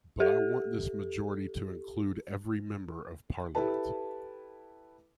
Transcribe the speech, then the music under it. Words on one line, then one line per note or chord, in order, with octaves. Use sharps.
But I want this majority to include every member of parliament.
G4 A4
E4 G4 A4 B4 A5